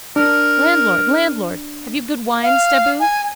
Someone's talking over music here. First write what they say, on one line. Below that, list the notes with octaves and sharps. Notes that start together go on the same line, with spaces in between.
Landlord, landlord, have you good wine, staboo?
D4 A#4
F5
G#5